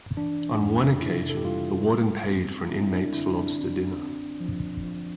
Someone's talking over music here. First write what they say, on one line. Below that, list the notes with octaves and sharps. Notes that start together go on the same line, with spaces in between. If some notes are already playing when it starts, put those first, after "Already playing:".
On one occasion, the warden paid for an inmate's lobster dinner.
E3 D4
F2
C3 E4
A4
G4
G3 F4
G3
C4
C4 E4
D4
D3 E4
D4
C4
C4
F3
F3